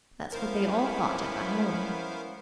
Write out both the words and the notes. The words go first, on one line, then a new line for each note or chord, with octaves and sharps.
That's what they all thought at the Home.
B3 C#4 E4 A#4 C5 F5